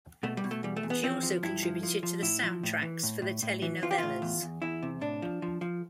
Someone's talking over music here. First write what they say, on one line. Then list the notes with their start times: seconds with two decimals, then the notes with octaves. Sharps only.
She also contributed to the soundtracks for the telenovelas.
0.23 B2 A3
0.37 G3
0.44 B2
0.51 A3
0.63 E2 G3
0.76 A3
0.83 E2
0.90 B3
1.03 F3 C4
1.23 F3
1.43 G2 E4
1.63 F3
1.83 F3
2.03 F3
2.22 A2 E4
2.43 F3
2.63 A2
2.82 E3
3.03 A2
3.22 A2
3.42 A2
3.62 E3
3.83 E3 F4
3.91 G4
3.98 A2 F4
4.22 E2
4.42 E2
4.62 E2 E4
4.83 C3
5.01 A2 D4
5.22 F3
5.42 F3
5.61 F3